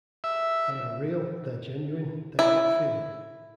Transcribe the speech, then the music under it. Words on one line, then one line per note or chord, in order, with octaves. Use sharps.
They are real, they're genuine, they got feeling.
E5
E4